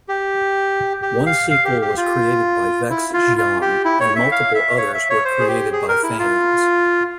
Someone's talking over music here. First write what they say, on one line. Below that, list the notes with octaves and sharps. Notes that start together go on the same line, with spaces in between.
One sequel was created by Vex Xiang, and multiple others were created by fans.
G4
G4
F5
F5
G4
G4
F4
E4
F4
F4
G4
E4
C#5
E5
F5
E5
C#5
E5
C#5
C5
G#4
G4
G#4
A#4
E4
F4